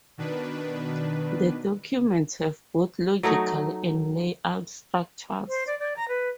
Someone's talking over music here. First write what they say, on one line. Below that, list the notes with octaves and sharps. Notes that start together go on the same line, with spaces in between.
The documents have both logical and layout structures.
B2 D#3 D4 B4
F#3 A3 D#4 E5
C5
D5
D5
A#5
B4